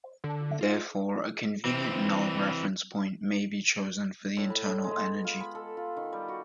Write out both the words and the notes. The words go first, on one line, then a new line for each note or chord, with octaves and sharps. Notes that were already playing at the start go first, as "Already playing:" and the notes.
Therefore, a convenient null reference point may be chosen for the internal energy.
D3
F4
E3 C4
A2
B5
A2
G#3
B3
F4
B5
A4
F4
D#3
G3
F#4